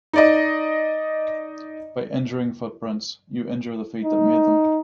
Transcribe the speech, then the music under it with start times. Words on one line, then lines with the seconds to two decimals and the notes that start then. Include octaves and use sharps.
By injuring footprints you injure the feet that made them.
0.13 D#4 D5 D#5
4.04 D#4